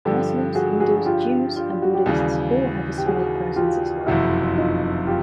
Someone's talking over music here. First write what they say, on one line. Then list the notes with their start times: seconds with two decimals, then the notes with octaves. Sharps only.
Muslims, Hindus, Jews, and Buddhists all have a small presence as well.
0.05 G2 D3 F3 G4 A4
0.55 F#4 G#4
0.80 F#4 G#4
0.96 F#4
1.05 F4 G4
1.56 F4 G4
1.70 F4
1.82 F#4
1.95 G4
2.06 D#2 C#3 E3 G3 F#4 G#4
2.98 G4
3.06 F#4 G#4
3.56 F4 G4
4.07 F#1 F2 C3 E3 E4 F#4
4.57 D#4 F4
5.07 F4 G4